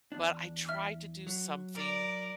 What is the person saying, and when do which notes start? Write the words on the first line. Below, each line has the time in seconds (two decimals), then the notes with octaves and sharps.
but I try to do something
0.12 E2 D4
0.69 E5 F6
1.27 F#3
1.74 A#4 D5